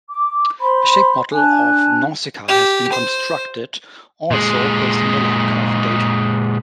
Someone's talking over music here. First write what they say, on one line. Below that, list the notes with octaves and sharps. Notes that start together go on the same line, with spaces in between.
A shape model of Nausikaa has been constructed, also based on the lightcurve data.
D6
C5 B5 C6
D4 G#5 A5 F#6
G4
C5
A#2 G#3